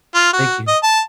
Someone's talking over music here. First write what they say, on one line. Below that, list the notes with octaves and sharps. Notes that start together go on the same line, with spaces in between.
Thank you.
F4
F#4
D#5
A5